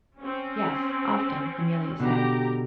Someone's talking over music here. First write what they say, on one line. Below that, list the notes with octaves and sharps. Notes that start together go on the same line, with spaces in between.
"Yes, often," Amelia said.
C4 C#4
B2 D3 G4 A#5